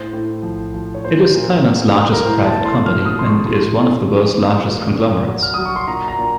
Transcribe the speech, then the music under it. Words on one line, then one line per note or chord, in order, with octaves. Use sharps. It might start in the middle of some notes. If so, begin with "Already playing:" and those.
It is Thailand's largest private company and is one of world's largest conglomerates.
Already playing: A2 C5
A2
F3
F3
C#5
A#2 C5
A#2
F#3
F#3
A#4
A2 C5
A5
A2
C6
F3 F6
D#6
F3 C6
C#6
A2 C6
A2
F3
F3
A#2
A#2
F#3
F6
F#3 D#6
C#6
C6
A#2 A#5
A#5
A#2